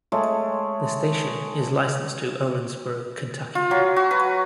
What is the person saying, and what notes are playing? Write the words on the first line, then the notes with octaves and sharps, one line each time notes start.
The station is licensed to Owensboro, Kentucky.
G#3 A3 C#5
F4
F#3
F#4
B4